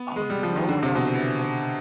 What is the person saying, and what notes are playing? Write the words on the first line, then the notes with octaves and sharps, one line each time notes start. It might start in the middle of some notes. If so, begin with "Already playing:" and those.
Oh, you know what I would add?
Already playing: B3
G#3
G3
F3
D#3
D3
C3
B2